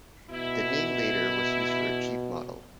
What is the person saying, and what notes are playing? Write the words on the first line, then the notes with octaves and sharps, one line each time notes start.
The name later was used for a Jeep model.
B2 E4